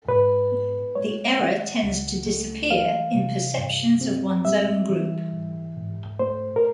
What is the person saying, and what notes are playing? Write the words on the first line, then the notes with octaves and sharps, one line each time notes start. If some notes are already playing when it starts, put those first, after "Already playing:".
The error tends to disappear in perceptions of one's own group.
G#2 B4
B3
G#3 C#5
D#3 F#5
C#2
A3
E3 F5
C3
G2
C4
G3 E5
E3
G#2
G#2
A3 C5
A#4